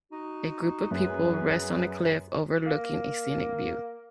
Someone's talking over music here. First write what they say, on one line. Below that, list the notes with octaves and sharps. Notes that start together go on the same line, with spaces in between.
A group of people rest on a cliff overlooking a scenic view.
D#4 F#4
F#2 B3 G#4 B4
A#3